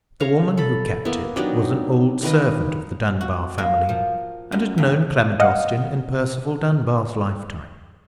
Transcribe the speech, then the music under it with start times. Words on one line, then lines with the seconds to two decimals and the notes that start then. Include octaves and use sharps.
The woman who kept it was an old servant of the Dunbar family, and had known Clement Austin in Percival Dunbar's lifetime.
0.20 C#5 F5 A#5
0.57 A4 B5
1.05 A#3 B3 E4
1.36 F#3 D4 D#4 G4
2.22 D#3 A#3 B4 D#5
3.21 F#4
3.58 A#3
3.89 F3
4.52 F#2
4.78 G2
5.40 D#5 F5 F#5